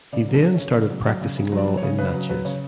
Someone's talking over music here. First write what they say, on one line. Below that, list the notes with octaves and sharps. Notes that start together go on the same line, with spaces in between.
He then started practicing law in Natchez.
C#3 D5
F#3
A4
F#3
C#5
C#3
C#3 D5
F#3
F#3 D5
C#3
C#3
F#3
D5
F#3
C#5
C#3
C#3 B4
F#3
F#3 B4
C#3 C#5